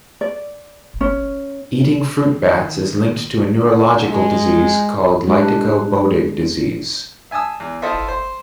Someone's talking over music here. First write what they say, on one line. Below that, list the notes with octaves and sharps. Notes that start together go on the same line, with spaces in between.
Eating fruit bats is linked to a neurological disease called lytico-bodig disease.
D5
C#4
D#3
D3
G#3
G3 G#3 D4 B4
E5 G#5 A5 D#6 E6
E2
E4 F4 A4 C5 D#5 E5
C5